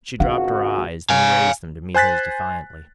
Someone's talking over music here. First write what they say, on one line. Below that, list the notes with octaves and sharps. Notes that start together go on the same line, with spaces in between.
She dropped her eyes, then raised them to meet his defiantly.
G#1 C#2 F4 F#4 F5 F#5
F5 G#5
C5 G#5 F#6 A6 B6